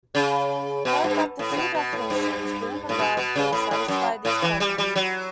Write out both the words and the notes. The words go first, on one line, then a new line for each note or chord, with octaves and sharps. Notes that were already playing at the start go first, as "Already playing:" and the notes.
Note that the two definitions given above both satisfy these properties.
C#3
B2
G2
A2
C#3
B2
B2
A2
G2
A2
B2
B2
C#3
A2
A2
F#2
A2
E3
G3
G3
F#3